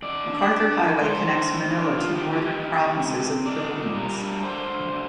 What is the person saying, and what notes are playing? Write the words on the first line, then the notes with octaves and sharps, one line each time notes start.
MacArthur Highway connects Manila to northern provinces of the Philippines.
D#3 D5
D4
D4
D#3
G#3 C5
D4
D#3
D4
F3 F4
G4
A#2
G4
D#4
D#4
C4
C4
D#4 D5
A#2
G3 A#4
D4
D3 C5
D3
D3